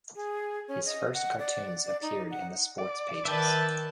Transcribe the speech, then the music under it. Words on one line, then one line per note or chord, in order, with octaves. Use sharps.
His first cartoons appeared in the sports pages.
G#4
C#4
D#5
F#5
D5
D5
D#4
F#5
D5
D#3 B4 E5 G5 A5